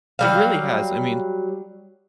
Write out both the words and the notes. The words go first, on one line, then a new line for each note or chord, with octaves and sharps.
it really has. I mean,
F#3 G3 F5